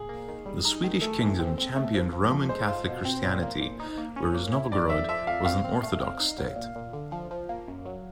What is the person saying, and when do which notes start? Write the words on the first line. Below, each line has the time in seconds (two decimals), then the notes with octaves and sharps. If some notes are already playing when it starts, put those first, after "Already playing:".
The Swedish kingdom championed Roman Catholic Christianity, whereas Novgorod was an Orthodox state.
Already playing: A#2 G#4
0.09 A#3
0.29 D#3
0.46 G3
0.65 D#4
0.84 D#3
1.01 A3 A4
1.21 E3
1.39 C4
1.58 C4
1.76 A3
1.94 F3
2.13 F3
2.31 F3
2.49 G#3 C5
2.68 F4
2.87 B2
3.05 C4
3.24 A#2
3.43 A#3
3.61 A#2
3.80 D#4
3.98 A#3
4.16 C#4
4.35 A#3
4.53 E4
4.72 F2 D5
4.89 F2 E5
5.09 F3 E5
5.27 F2 F5
5.45 C4 F5
5.64 C4
5.83 A3
6.01 C4
6.20 D#4
6.38 F#3
6.56 A#2
6.75 A#2
6.93 D3
7.12 F3
7.31 F3
7.49 A#3
7.68 F#2
7.85 F#3